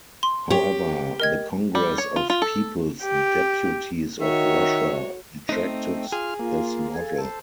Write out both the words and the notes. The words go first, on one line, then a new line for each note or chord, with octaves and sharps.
However, the Congress of People's Deputies of Russia rejected this model.
C6
G4 C#5 C#6 F7
A#4 D#5 G#6
G3
C#5
F4
F4
A4
G4
D#3 F#4 C#5 E5
A3 C4 D#4
G5
F4 G#4 F6
A#3 F4
A4 F5 G#6
A4 C5